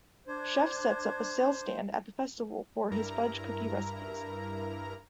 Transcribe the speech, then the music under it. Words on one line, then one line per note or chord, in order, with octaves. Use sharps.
Chef sets up a sales stand at the festival for his fudge cookie recipes.
D4 C5 G#6
G2 E4 A#4 A#5